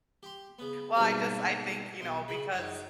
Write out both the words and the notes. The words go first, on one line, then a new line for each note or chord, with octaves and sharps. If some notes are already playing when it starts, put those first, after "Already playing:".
Well, I just I think, you know, because
G4 C6
C#3 B3
G#2 B2 D3 F#3 G3 A#3
B1 C6
C#3 B5
F#2 D#4